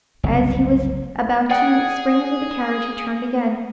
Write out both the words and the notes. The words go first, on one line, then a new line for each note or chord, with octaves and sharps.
As he was about to spring into the carriage, he turned again.
F#1 C2
G#4 D5 F#5 G5